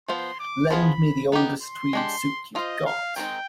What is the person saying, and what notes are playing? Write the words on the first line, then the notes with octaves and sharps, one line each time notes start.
Lend me the oldest tweed suit you’ve got.
F3 B3 F4 C5 C6
D6
F3 B3 F4 G#4 B5
B3 D#4 G4
C6
G#3 D4 G4
D4 F4 C5 D#5 F5
F5
D#3 G#3 C4 D#4 G5